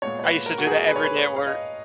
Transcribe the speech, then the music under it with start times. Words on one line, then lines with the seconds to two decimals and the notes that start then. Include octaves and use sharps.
I used to do that every day at work.
0.02 A#2 G#3 B3 C#5
0.19 C#5
0.24 B4
0.46 A#4
0.58 F#4
0.67 G#4
0.88 B4
0.96 C#5
1.03 B4
1.18 C#5
1.36 F5
1.47 D#5